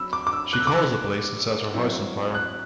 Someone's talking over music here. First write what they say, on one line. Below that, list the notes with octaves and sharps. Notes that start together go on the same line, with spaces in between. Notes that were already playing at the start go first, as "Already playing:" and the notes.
She calls the police and sets her house on fire.
Already playing: F#3 C4 B5 E6
D6
D6
E6
F#6
E6
D6
E6
F#3 C4 E4
F#6